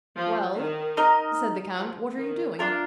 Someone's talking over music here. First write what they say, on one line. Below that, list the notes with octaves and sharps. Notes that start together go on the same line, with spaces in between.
"Well," said the count, "what are you doing?"
F3
D#3
D#4 A#4 D#5
F3
D#3
D4 F4 A#4